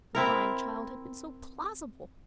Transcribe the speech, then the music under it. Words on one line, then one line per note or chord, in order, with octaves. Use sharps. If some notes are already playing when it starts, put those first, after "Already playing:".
The crying child had been so plausible!
C4 E4 A#4